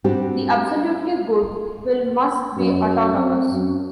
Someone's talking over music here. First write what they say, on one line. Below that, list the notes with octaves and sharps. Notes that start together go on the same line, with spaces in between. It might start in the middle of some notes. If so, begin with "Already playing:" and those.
The absolutely good will must be autonomous.
G3 C4 D4 F#4 G4
F#2
C4
F#2